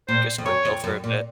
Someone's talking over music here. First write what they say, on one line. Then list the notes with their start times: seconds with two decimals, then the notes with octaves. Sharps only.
Just go chill for a bit.
0.08 A#2 C5
0.38 F2
0.46 F#2 C#5
0.65 F2
0.84 F#2
1.04 A#2